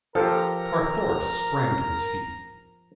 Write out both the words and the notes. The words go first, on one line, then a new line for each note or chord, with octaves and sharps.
Carthoris sprang to his feet.
F3 G4 A4 A#4 A#5